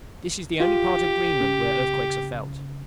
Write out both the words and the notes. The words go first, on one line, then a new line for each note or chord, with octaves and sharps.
This is the only part of Greenland where earthquakes are felt.
F4 G4
C#3